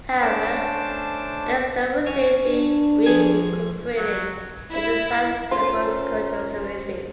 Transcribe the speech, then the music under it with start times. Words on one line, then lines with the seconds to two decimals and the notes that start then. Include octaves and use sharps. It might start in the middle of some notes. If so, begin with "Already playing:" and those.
However, Eccleston will soon be re-incorporated into the South Ribble constituency.
0.21 A3 C#4 D4 C5 A5 D6
2.07 C#4
2.46 D4
3.06 F2 G#4 G#5
3.97 F#3
4.71 E4
5.51 C#4 F4 A#4 C5